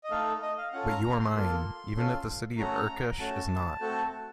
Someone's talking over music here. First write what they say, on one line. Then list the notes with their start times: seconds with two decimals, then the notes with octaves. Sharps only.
But you are mine, even if the city of Urkesh is not.
0.04 D#5
0.11 A3 D#4 A4 F5
0.42 D#5
0.58 F5
0.73 C#4 F4 A4 F#5
0.88 A#5
1.03 A#5
1.19 C6
1.34 A#3 F4 A4 C6
1.96 C#4 F4 A4
2.57 A3 C#4 F#4 A4 A#5
3.19 A3 C#4 F#4 A5
3.81 A3 C4 F#4 A4